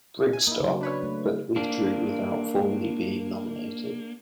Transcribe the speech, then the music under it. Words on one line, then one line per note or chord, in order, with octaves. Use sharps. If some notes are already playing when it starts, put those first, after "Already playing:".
Brigstock, but withdrew without formally being nominated.
G#5
A#3 D#4 E4
C#3 F#3
D4 B4 C#5
A3
A#3 D4